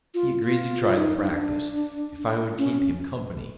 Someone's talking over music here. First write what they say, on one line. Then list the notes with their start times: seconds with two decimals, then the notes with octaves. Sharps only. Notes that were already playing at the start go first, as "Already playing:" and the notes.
He agreed to try the practice, if I would keep him company.
0.14 F4
0.41 F4
0.96 D#4
1.23 D4
2.58 C#4